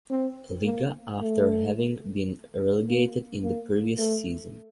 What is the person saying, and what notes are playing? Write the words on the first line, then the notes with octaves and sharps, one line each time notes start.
Liga after having been relegated in the previous season.
C4
A#3
A3
A#3
A#3
A3